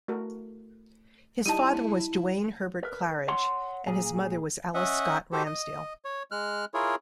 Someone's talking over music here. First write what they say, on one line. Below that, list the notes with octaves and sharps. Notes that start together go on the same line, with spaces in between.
His father was Duane Herbert Clarridge, and his mother was Alice Scott Ramsdale.
A3 F#4 A#4
G3 D#4 E4 A5 D#7
A#4 B4
C#5 F#5 C6
A#2 G#4
C#4 D#5 E5 F#5
F#4 G4 A4 C5
D#5
C#5
G#3 F6 F#6
E4 F4 G#4 A#4 C#5